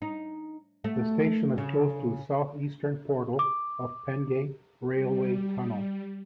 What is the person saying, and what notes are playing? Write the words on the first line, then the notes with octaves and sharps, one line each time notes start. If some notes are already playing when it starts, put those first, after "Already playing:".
The station is close to the South-Eastern portal of Penge Railway Tunnel.
D#4
A3
C#3
D6
G3